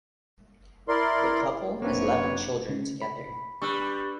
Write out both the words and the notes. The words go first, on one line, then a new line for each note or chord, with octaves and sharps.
The couple has eleven children together.
E4 A#4 D5 C6
F#2 A#3 C4 D4 B4 C#5
C#3
B5
G3 D4 B4 C#6 E6 F#6